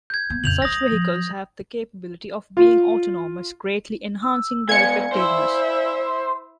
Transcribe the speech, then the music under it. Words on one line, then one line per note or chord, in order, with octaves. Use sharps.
Such vehicles have the capability of being autonomous, greatly enhancing their effectiveness.
G6 G#6
A#3 B3
F2 C#3 G6 F7 F#7
D2 G#3 D#6 A#6
F3
F4
E6
G#3 B3 D5 F5 G#5 G#6 C#7
E4 C5 E5